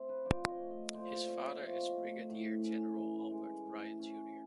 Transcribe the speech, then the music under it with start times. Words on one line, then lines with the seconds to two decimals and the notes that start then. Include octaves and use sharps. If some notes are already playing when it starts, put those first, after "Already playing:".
His father is Brigadier General Albert Bryant Jr.
Already playing: C4 E5
0.08 B4 C#5
0.25 F3 C5 D5
0.48 C#5 D#5
0.60 A3
0.71 C#5 D#5
0.93 A#2 C5 D5
1.10 C5 D5
1.27 C4 C#5 D#5
1.44 D5 E5
1.61 F3 C#5 D#5
1.96 A3
2.29 A2
2.63 C#4
2.96 E3
3.31 G#3
3.65 A2
3.99 C#4